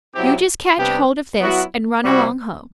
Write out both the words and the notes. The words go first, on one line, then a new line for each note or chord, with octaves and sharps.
You just catch hold of this and run along home.
B2 F#3 C4 E4 G4
C3 G3 B3 D4 G4
F#3 B3 E4 F#4
C3 G3 C4 E4 F#4